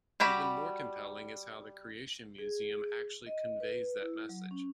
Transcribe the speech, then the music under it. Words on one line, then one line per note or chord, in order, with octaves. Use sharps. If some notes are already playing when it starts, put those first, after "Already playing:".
Even more compelling is how the Creation Museum actually conveys that message.
G3 F#4 G4 B5
G#4
D#5
B4
E4
F#3
C#4